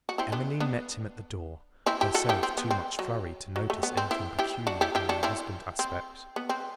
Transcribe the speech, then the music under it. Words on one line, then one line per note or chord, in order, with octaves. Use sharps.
Emmeline met him at the door, herself too much flurried to notice anything peculiar in her husband's aspect.
F#4
C4 E4
B3 D4
B3 D4
C4 E4
E4 G4
F#4 A4
E4 G4
C4
B3
C4
F#3
F#3
A3
B3
C4
C4 E4
E4 G4
D4 F#4
E4 G4
E4 G4
D4 F#4
C4 E4
C4
B3
C4